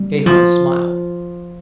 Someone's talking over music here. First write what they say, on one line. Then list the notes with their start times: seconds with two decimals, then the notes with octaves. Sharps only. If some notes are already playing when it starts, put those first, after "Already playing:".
Gahan smiled.
Already playing: G3
0.26 F3